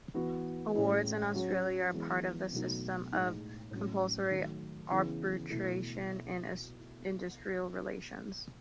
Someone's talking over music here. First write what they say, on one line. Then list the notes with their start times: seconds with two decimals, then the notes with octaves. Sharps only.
Awards in Australia are part of the system of compulsory arbitration in industrial relations.
0.14 E3 B3 F#4
0.75 A2 G#3 C#4 E4
1.34 F#3 C#4 F#4
1.93 E3 G#3 B3 E4
2.52 B2 F#3 A3 D#4
3.12 A2 G#3 D#4
3.71 A2 F#3 C#4
4.31 D#3 F#3 A3
4.90 C#3 E3 B3 E4
5.50 B2 A3 E4